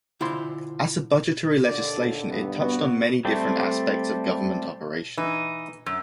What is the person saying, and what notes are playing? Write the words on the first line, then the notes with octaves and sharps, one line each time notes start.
As a budgetary legislation, it touched on many different aspects of government operation.
D3 E4 F4 C5 C6
D#2 D3 D5
G2 B3
B3 F#4
G3 A3 C4
E3 D#4
F#2